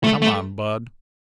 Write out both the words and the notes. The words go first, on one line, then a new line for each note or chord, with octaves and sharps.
Come on, Bud.
A3
A3